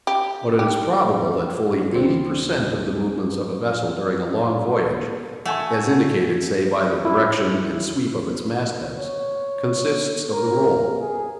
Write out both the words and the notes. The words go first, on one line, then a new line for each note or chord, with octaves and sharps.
But it is probable that fully eighty per cent. of the movements of a vessel during a long voyage--as indicated, say, by the direction and sweep of its mast-heads--consists of the roll.
G4
G4
D#2 A#2 G3 C4
A3 F#5 G#5 C#6
E4
C#5
A#4
G#4